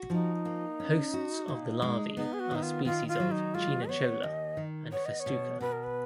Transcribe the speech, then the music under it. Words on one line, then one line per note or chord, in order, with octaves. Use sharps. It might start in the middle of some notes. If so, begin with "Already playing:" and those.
Hosts of the larvae are species of "Chionochloa" and "Festuca".
Already playing: F#4
F3 D#4
A#3
C#4
F#4
A#2
G#3
B3 D#4
G#4
F#4
D#3 D#4
F4
D#3 F4
F4
F#3
D#4
G#3 F4
B3 C#5
D#2 D#5
D#3
B3 C#5
D#5
C#5
B2
B2 B4
A#4
B4